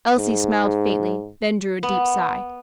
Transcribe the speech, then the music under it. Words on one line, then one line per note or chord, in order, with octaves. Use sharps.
Elsie smiled faintly, then drew a deep sigh.
G#2
B3